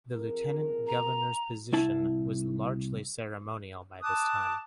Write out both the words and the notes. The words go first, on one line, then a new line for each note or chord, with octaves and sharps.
The lieutenant governor's position was largely ceremonial by this time.
F2 G#4 A#4
A#5
C2 E4 A5
A5 D6 D#6 F#6